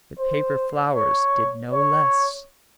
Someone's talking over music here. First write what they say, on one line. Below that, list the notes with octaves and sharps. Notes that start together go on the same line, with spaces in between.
The paper flowers did no less.
C5
C#5
C#5